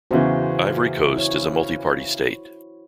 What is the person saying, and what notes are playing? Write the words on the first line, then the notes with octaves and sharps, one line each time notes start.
Ivory Coast is a multiparty state.
E2 C#3 E3 F#4 C5
E4 C#5